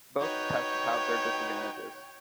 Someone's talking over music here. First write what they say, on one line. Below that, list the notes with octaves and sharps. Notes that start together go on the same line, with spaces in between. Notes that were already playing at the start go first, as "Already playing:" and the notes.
Both tests have their disadvantages.
D#4 F#4 B4 C#5 G5